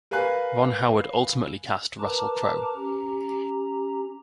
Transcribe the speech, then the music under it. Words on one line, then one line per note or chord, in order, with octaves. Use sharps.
Ron Howard ultimately cast Russell Crowe.
A#4 B4 F5 G#5 F#6
A#4 B4 A5 A#5 D6
C#4 G4 A#5